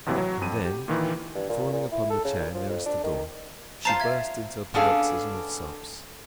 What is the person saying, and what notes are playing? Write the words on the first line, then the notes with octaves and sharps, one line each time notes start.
And then, falling upon the chair nearest the door, she burst into a paroxysm of sobs.
A1 D#2 C3 E3 F#3
F#3
F2 D#7
G4
A#2 D#3 E3
G2
A#2
A#2
E4
A4
C#3
A#2
F3
F2
D4
D#3
F4 C5 A5 A#5 C7
E5 G#6
B3 C#4 D4 G#4 A4 F5